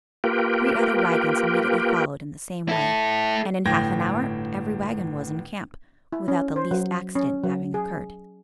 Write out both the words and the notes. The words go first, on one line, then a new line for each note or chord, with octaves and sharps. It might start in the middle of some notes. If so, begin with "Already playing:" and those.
Three other wagons immediately followed in the same way, and in half an hour every wagon was in camp, without the least accident having occurred.
A#3 F4 G4 A#4 B4 G5
E4 A4
G1 A2 G5 G#6 A#6
E4
C#4
C5
F#3
C#4
F#3
G#4